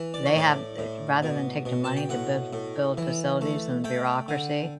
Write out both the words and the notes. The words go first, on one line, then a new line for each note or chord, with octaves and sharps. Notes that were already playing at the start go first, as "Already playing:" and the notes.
they have they Rather than take the money to build build facilities and bureaucracy,
Already playing: E3
D5
C#5
A2 D5
A2
B2
B2
A5
G5
A2 F#5
A2
E3
A3
A3 G5
D3